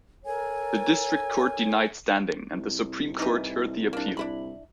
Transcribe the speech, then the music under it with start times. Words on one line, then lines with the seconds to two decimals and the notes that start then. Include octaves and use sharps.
The district court denied standing, and the Supreme Court heard the appeal.
0.25 A4 A#4 C#5 G#5
2.54 C2
3.19 E3 D#4
3.93 A#3 D4
4.17 C2 D4 E4 B5